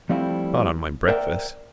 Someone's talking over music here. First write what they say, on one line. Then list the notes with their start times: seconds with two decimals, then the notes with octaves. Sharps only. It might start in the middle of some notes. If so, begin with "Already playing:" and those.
Not on my breakfast.
0.09 F3 G3 A3 C4 E4
1.08 A#4 C5 D5 E5 F#5 G5